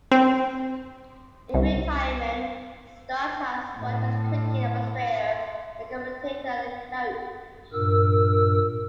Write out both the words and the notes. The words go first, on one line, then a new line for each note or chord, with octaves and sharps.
In retirement, Stott has worked as a cricket administrator, a commentator and a coach.
C4
C2
A2
G2 A#2 A#4 E6